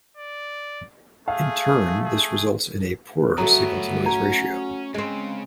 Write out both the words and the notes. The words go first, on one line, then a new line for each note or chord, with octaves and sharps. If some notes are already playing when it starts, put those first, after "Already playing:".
In turn, this results in a poorer signal to noise ratio.
D5
A3 G#4 F5
G#4
G2 F#3 A3 B3 F#4 A#5
C#4 G#5 A#5
C#3 G#3 C4